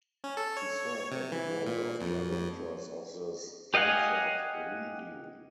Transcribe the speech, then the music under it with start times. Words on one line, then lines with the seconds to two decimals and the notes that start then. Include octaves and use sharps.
He served on the board of directors of The Stanford Review.
0.24 C#4
0.37 A4
0.57 C#5
1.11 C3
1.32 E3
1.67 A#2
2.01 F2
2.31 F2
3.74 G4 D#5 F5 F#5 G#5